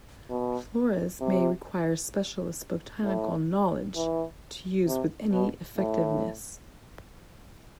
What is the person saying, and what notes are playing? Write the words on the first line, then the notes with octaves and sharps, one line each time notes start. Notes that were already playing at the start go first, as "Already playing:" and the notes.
Floras may require specialist botanical knowledge to use with any effectiveness.
B2
C3
A2
E3
C3
B2
A2